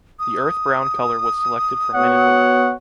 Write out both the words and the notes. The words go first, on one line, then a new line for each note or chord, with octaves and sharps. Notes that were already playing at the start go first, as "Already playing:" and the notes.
The earth brown color was selected for men and women.
D#6
B3 F#4 C#5 F#5